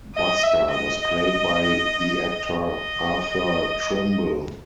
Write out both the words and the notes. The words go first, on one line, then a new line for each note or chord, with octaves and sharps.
Buster was played by the actor Arthur Trimble.
D#5
E5
D#5
D#5